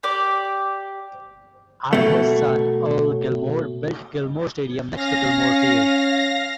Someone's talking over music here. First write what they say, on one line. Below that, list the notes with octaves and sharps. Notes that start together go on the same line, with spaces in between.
Arthur's son Earl Gilmore built Gilmore Stadium next to Gilmore Field.
G4 D5 D6
B2 A3
C#4 F5 A#6